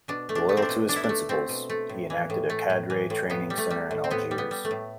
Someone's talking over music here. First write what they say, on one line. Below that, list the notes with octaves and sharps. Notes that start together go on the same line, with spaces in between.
Loyal to his principles, he enacted a cadre training center in Algiers.
B2 D4
A3
D4
A3
C4
D4
B2
B2 D4
E4
D4
A3
A3 C4
B2
A3
A2
E3
A2
A3
A2
E3
A2
A2 B3
G3
A3
G3
A2
C4
A2 B3
G3
B3
G3
A3
A2